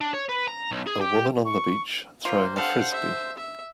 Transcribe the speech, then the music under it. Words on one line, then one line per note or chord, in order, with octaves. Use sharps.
A woman on the beach throwing a frisbee.
D4
C#5
B4
A#5
B1
G#4
G4
C#6
F3 A#3 F4 C5
G3 D4 A4 C5 F5 F#5
E5
E5